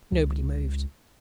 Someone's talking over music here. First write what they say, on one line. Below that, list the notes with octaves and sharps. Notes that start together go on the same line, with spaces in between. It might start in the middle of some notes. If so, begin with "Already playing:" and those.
Nobody moved.
C#2